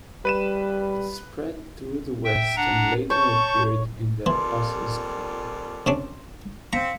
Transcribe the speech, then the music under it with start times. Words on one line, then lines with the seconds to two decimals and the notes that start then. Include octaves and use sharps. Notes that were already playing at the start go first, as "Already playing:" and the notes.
It spread through the west and later appeared in the Apostles' Creed.
0.25 G3 B4 D#7 E7
2.24 E5 G5
2.56 D4 F#5 A#5
3.10 C#5 A5 C#6 G6
4.26 F2 A#2 E3 G3 C6
5.86 C3 C#4 D4
6.73 C4 F5 A#5 B6 C#7